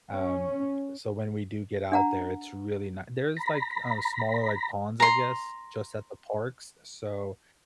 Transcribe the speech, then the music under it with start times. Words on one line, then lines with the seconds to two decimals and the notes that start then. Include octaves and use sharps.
um so when we do get out there, it's really not there's, like, uh, smaller, like, ponds, I guess? Just at the parks, so,
0.13 C#4
1.92 D4 F#5 A#5
3.37 A#5 B5
5.00 A#5 C6